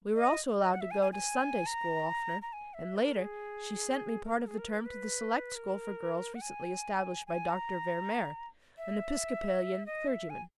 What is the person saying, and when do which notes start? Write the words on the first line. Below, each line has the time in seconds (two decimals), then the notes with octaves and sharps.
We were also allowed to go to Sunday school oftener, and later, she sent me part of the term to the select school for girls recently established by Dr. Ver Mehr, an Episcopalian clergyman.
0.15 D#5
0.59 D#5
0.73 F#5
0.81 E5
0.91 G#5
1.02 G#5
1.12 G#5
1.66 A#5
2.42 A#5
2.53 G#5
2.74 E5
2.97 A#4
3.17 G#4
4.25 A#4
4.37 A#4
4.48 G#4
4.58 A#4
4.69 B4
4.78 A#4
4.85 B4
5.55 A#4
6.35 F#5
6.42 G#5
7.27 G#5
7.50 A#5
8.78 E5
9.86 D#5
10.08 E5
10.30 G#5